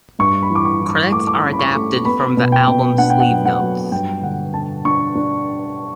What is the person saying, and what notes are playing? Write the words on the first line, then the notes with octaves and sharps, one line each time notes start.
Credits are adapted from the album's sleeve notes.
G2 C#6
B5
E3
D6
C#6
E3
D6
A3 D6
D6
C#4
B5
C#6
A3
B3 B5
B2
G5
B2
D4 F#5
G5
F#5
F#3
F#5
F#3
G2 G5
D3 F#5
D3 A5
D4 C#6
D4